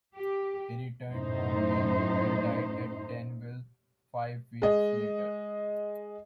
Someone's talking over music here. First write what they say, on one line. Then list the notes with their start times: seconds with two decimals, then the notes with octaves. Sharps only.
He returned home ill, and died at Danville five weeks later.
0.16 G4
1.10 F#2 A2 D#4 C5
4.62 G#3 D#5